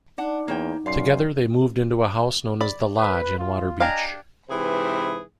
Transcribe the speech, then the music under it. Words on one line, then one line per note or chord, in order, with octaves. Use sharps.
Together they moved into a house known as The Lodge in Waterbeach.
D4 D#4 F#5
E2 A#3 C#5 G5
F#2 D5 F5 C6 C7
D5 B5
B4
F4
D4 G4 D#5 F5 G#5 A#5
G#2 C3 E3 G#4 B4 B5